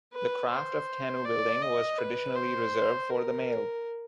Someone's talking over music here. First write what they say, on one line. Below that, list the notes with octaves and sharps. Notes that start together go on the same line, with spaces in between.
The craft of Canoe building was traditionally reserved for the male.
B4
C5
D5
D#5
B4
C5
A#4